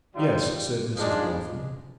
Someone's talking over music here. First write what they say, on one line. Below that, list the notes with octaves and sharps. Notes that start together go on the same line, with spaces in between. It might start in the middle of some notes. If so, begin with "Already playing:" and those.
'Yes,' said Mrs Boffin.
G#2 D#3 G3 D4 F4
G#2 F3 G#3 D4 F4